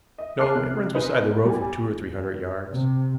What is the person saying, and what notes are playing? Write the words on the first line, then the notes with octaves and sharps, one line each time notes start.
"No, it runs beside the road for two or three hundred yards."
D#5 E5
A5 D6 F6 F#6 C7
C3 F#6
D#4 G#4 B4 C5 D#5
B1
G3 G#5
C3